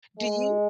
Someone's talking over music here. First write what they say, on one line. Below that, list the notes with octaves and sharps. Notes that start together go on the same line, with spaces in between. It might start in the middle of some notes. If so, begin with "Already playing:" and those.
Do you
G#3